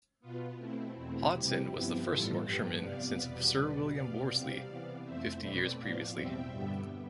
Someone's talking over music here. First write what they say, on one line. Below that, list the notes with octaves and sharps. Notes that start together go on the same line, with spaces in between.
Hodson was the first Yorkshireman since Sir William Worsley fifty years previously.
B2 B3 F4
B2 A3 C4 E4
E2 B2 A3 C4 E4
C3 G3 C4 E4 G4
G2 F3 B3 E4 G4
A2 E3 G3 B3 F4 A4
G2 F3 B3 G4 B4
C3 G3 B3 D5 F5
E2 B2 B3 B4 D5
E2 B2 G3
B2 B3 D5 F5
C3 G3 C4 D5 F5
C3 E3 B3
F2 E3 A3 C4 C5 E5
B2 A3 C4 B4 D5
A2 F3 B3 D5 F5
E2 B2 G3 C4 E5 G5
G2 D3 G3 B3